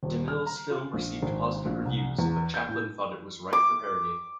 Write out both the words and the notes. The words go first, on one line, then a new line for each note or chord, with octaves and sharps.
DeMille's film received positive reviews but Chaplin thought it was ripe for parody.
D#1
F6
A#5
F4
A#1
G#1
A#1
C2
E2
G6
A2
D6